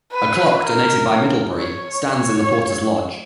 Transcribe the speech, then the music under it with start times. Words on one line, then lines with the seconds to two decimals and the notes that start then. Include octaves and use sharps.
A clock donated by Middlebury stands in the Porters' Lodge.
0.12 B4
0.61 A#4
1.58 C#5
2.07 C#5